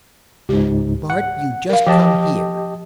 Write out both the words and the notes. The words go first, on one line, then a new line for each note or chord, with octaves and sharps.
"Bart, you just come here!"
C#2 G#2 G4
F#5
A#4 F5
F3 G4 D#5 A5